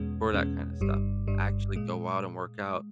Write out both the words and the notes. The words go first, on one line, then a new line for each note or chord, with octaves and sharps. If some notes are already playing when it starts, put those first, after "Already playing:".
for that kind of stuff. Actually go out and work out,
Already playing: E2 B2 G#3 C#4
E2 B2 G#3 C#4
G1 G2 G3
G1 G2 G3
A#2 G#3